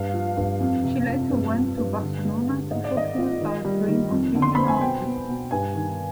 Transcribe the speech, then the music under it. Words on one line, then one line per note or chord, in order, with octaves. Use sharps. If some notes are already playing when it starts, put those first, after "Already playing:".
She later went to Barcelona to fulfill her dream of being an artist.
Already playing: G2 F5
F3
G2
F2
C3
F2
G2
F3
G2
D3
G#3
D3
G#2 D#5
D5
D#3 D#5
F4
D#3
G3
D#3
F2
D3
C6
C4 B5
G#5
B2 G5
B3
B2
G2 G#5
D#3